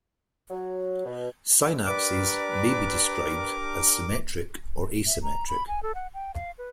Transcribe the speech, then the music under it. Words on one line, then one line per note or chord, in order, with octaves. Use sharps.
Synapses may be described as symmetric or asymmetric.
F#3
B2
D4 G4 A#4 B4 D5 D6
E5
A#5
B5
G#5
A4
F#5
G5
F5
B4